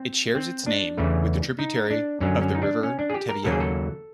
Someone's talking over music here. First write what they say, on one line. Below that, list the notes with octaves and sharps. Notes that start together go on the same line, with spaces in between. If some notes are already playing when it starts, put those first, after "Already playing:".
It shares its name with a tributary of the River Teviot.
Already playing: C4
C4
D4
E2 C#3 E3 A3
D#4
D4
F#2 D3 F#3 C#4
C#4
D#4
D4
C#4
D4
G#4
G4
A#4
D#2 C#3 F#3 A#3 A4
G#4
A4